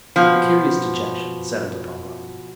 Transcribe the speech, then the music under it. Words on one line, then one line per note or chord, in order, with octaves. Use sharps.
A curious dejection settled upon Robin.
B2 F3